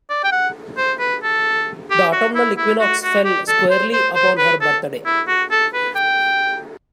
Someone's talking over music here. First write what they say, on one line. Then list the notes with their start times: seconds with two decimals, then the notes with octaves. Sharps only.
The autumnal equinox fell squarely upon her birthday.
0.10 D5
0.23 G5
0.32 F#5
0.77 C5
1.00 B4
1.23 A4
1.90 G4
2.12 F#4
2.35 E4
2.58 E4
2.80 F#4
3.03 F#4
3.25 G4
3.48 A4
3.70 C5
3.93 C5
4.15 C5
4.38 B4
4.61 A4
5.05 E4
5.28 F#4
5.51 A4
5.74 B4
5.95 G5